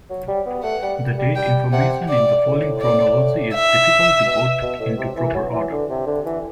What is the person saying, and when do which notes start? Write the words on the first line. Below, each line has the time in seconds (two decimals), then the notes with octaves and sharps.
The date information in the following chronology is difficult to put into proper order.
0.10 F#3
0.28 G3
0.46 B3
0.63 A3 F#5
0.83 G3
1.18 G3
1.36 G3 G5
1.72 C3 F#5
2.09 D5
2.46 A2
2.81 D5
3.54 E5
4.26 B2
4.62 B2
4.80 A2
4.98 C3
5.17 E3
5.35 F#3
5.53 E3
5.71 D3
5.89 C3
6.06 D3
6.25 E3